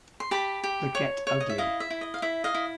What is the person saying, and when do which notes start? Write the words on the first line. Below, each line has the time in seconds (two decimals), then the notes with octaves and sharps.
The Get Ugly!
0.20 C6
0.31 G4 A5 B5
0.64 G4
0.95 C#5
1.27 C#5
1.41 D#5
1.49 E5
1.58 E4 D#5 F5
1.80 E5
1.90 E4
2.01 D#5
2.14 F5
2.22 E4 E5
2.44 D#5 F5
2.54 E4